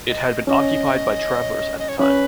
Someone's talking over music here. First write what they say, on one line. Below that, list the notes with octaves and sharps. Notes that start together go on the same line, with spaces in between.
It had been occupied by travellers at the time.
D#5
C#4 D#5
D#5
C#5
C#4 B4